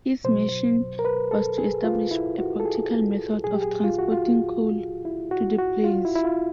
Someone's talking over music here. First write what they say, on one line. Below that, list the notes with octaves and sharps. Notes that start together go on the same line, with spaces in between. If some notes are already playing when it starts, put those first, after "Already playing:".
His mission was to establish a practical method of transporting coal to the plains.
B2 F#3 C5
A#4
B4
A4
G#4
F4
E4
F#4
A4
G#4
A#2 F#3 G#4
G4
G#4
F4
F#4
F4
E4
F#4
F#4
F4
E4
E4
F4